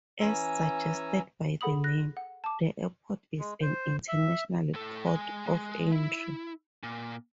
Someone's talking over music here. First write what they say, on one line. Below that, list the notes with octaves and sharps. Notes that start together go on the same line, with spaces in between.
As suggested by the name, the airport is an international port of entry.
E3 C#4 G#5 A#5 E6
G#4 A4 F#5 B5 D#6 F#7
F#6 A#6
F#5
A5 D6
G#3
C5
E5
A2 A4
G#3 G#5
G#3
E4
A#2